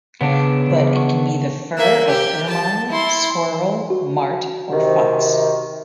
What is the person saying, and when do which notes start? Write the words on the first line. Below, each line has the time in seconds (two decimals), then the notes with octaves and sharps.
But it can be the fur of ermine, squirrel, mart or fox.
0.21 C#3 B3 D4
0.70 C#3
0.96 C#6
1.77 A#3 E5
2.07 G4
2.50 A5
2.89 E4 C6
3.90 F#4
4.71 C3 D#3